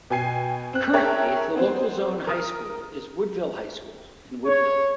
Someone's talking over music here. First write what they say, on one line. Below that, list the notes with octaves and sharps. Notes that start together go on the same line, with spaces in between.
Currently, the local zone high school is Woodville High School, in Woodville.
B2 G5 G#5 C7
C4 F#6
G#4 A#4 C#5 E5 G5 A5
B3 C4 C5
A#4 D#6 F6
C#5